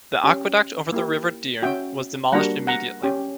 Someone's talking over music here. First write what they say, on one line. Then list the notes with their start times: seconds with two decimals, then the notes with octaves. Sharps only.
The aqueduct over the River Dearne was demolished immediately.
0.24 C#4 G4
0.92 A#3 E4 G4
1.62 C#4 F#4 E5 G5
2.32 G3 A#3 D4 F#4 F#5 A#5
2.67 F#5 A#5
3.03 C#4 G4